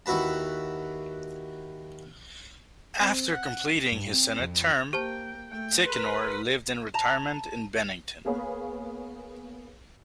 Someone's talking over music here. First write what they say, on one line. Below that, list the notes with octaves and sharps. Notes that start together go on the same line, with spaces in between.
After completing his Senate term, Tichenor lived in retirement in Bennington.
D#2 E4 F#4 B4 A5
C4
F#5
G2
C4
F2
A#3 G4 C5 G5 A5
A3 G5
A#4 B4 C6
A5 A#5
A#3 B3 G#4 B4 C#5 F5